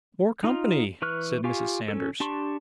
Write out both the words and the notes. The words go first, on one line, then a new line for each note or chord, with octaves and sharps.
'More company!' said Mrs. Sanders.
D#4 F4
E3 B4 C#6 F6 F#6
F4 G4 F5 G#5 C#6
C#4 A4
D4 G4 A5 C6 C#6